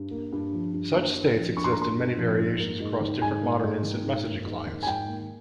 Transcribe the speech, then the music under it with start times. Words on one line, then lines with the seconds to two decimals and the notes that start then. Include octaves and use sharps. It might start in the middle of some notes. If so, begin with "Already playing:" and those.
Such states exist in many variations across different modern instant messaging clients.
Already playing: G2
0.11 A#3
0.32 G2
0.53 F3
0.73 G2
0.94 A#3
1.15 G2
1.36 F3
1.57 G2 C#6
1.64 C6
1.72 A#5
1.77 A#3 C6
1.98 G2
2.18 F3
2.39 G#2
2.60 A#3
2.80 G#2
3.00 D#3
3.22 G#2 G#5
3.42 A#3
3.63 G#2
3.83 D#3
4.04 G#2
4.25 A#3
4.46 G#2
4.67 D#3
4.83 G#5
4.86 G#2 G5
5.08 A#3